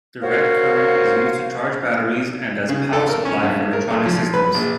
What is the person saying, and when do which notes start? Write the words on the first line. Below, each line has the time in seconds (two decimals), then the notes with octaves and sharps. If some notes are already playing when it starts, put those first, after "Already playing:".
Direct current is used to charge batteries and as power supply for electronic systems.
0.22 F#4 A#4 C5 C#5 F5
2.69 C#3
2.93 A4
3.09 A#4
3.25 C#4
3.43 G2
3.73 A#4
3.91 A3
4.06 F3
4.34 B4
4.54 A#1